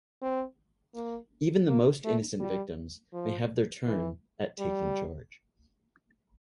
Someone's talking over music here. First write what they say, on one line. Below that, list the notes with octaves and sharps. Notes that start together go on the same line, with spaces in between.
Even the most innocent victims may have their turn at taking charge.
C4
A#3
A#3
A3
G3
F3
E3
G3